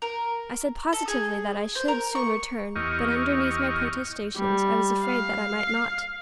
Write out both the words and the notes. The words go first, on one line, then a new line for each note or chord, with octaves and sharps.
I said positively that I should soon return, but underneath my protestations I was afraid that I might not.
A#4
A4
G#4
C5
A#4
C#6
E2 G4 D#5 C#6 F6
G3
F5